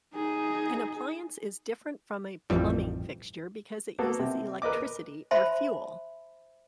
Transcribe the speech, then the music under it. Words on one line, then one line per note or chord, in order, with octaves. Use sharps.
An appliance is different from a plumbing fixture because it uses electricity or fuel.
D#4 G#4
A1 F2 E3 F3 G3
A#3 B3 F#4 A4
C3
A#4 B4 D#5 D6
C5 E5 A5 B5 C6